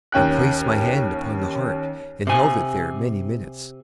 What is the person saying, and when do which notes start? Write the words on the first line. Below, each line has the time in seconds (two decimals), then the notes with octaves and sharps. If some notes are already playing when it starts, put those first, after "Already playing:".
I placed my hand upon the heart and held it there many minutes.
0.12 D#2 C#4 G5 F#6
2.27 C3 G#5